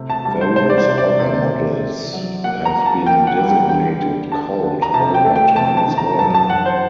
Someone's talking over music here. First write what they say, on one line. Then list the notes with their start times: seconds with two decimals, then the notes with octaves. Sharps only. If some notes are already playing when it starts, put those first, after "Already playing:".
Various other models have been designated "Colt" over time as well.
Already playing: C3 A3
0.10 A5
0.25 G3 A5
0.41 C5
0.56 C3 C5
0.70 D5
0.78 C5
0.88 C3
0.98 D5
1.19 C3
1.50 C3
1.82 C4
2.13 F#3
2.44 A#3 F#5
2.65 A#5
2.75 A#3
2.86 A5
3.06 A#3 G5
3.27 F#5
3.38 G3
3.48 G5
3.69 D3 G5
4.00 D3
4.31 D3 A5
4.63 D3
4.82 A#5
4.94 C3 A5
5.14 G5
5.25 A3
5.36 G5
5.56 C3 A5
5.77 A5
5.88 D#3
5.97 A#5
6.19 F#2 A5
6.34 A5
6.50 F#2 F#5
6.66 C5